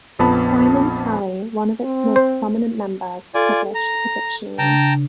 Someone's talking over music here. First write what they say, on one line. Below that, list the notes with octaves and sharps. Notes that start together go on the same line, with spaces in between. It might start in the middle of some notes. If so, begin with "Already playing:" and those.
Simin Palay, one of its most prominent members, published a dictionary.
A#1 F2 B3 A5 B5
C4
C5
F4 A4 D5 G#5
A#5
C#3 D4 G5 A5 A#5